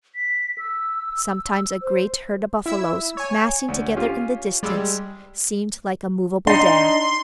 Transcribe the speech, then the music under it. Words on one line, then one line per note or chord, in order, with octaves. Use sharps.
Sometimes a great herd of buffaloes, massing together in the distance, seemed like a moveable dam.
B6
E6
C5
E4 E5 E6
C#5 G#5
D2
C#4 F4 G4
G3 G#3 E6
D4 D#4 C6